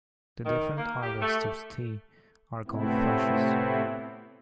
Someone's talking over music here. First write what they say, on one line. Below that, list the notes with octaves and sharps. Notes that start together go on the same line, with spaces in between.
The different harvests of tea are called flushes.
D#3
A#3
G4
A3
A2 C3 A3 B3 C4 E4